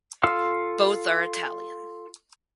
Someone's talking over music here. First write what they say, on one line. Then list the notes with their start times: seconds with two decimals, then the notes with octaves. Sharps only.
Both are Italian.
0.23 F4 A4 F5 E6 F6